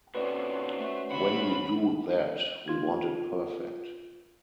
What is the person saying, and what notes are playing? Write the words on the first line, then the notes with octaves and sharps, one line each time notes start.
When we do that, we want it perfect.
A2 C3 C#4 F#4 B4 C5 D5
A3
E4 F#5 B5
F4 G#6